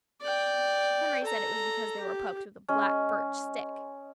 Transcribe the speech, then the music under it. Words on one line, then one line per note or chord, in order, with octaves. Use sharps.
Henry said it was because they were poked with a black-birch stick.
D5 G5
A4 A#5
G4
G#3 C#4